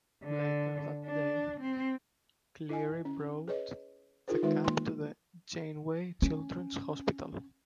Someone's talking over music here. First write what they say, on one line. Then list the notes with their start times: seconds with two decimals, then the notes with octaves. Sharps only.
Later that day, Cleary brought the Cup to the Janeway Children's Hospital.
0.24 D3
1.05 D4
1.61 C4
2.69 E4 D#5 G#5
3.05 C#4
3.48 G#4 B4 C#5 D#5
4.28 D#4 F4 G#4 A#4 C5
4.43 D#3 G#3 D#4 F4 B4 E5
4.64 A#3 C6
6.22 C#4